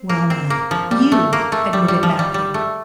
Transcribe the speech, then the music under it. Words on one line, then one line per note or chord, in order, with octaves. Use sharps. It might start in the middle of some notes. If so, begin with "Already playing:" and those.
"Well now, you," admitted Matthew.
Already playing: C4
A#3
C4
A#3
F3
G3
A3
A#3
A3
G3
G3
F3
G3
G3
A3